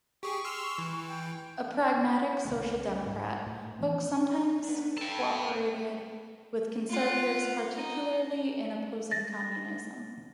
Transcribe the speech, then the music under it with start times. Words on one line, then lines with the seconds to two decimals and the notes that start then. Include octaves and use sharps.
A pragmatic social democrat, Hook sometimes cooperated with conservatives, particularly in opposing communism.
0.23 G4 G#4 C#6
0.45 C6 E6 F6
0.78 E3
1.08 G5
2.45 B1 D3 A3
2.62 C#2
3.06 G#2
3.46 A2
3.79 E3 F3 B3
4.64 B3 D4
4.98 A4 G5 A5
6.89 F4 F#5
7.76 D#4
9.11 A6 A#6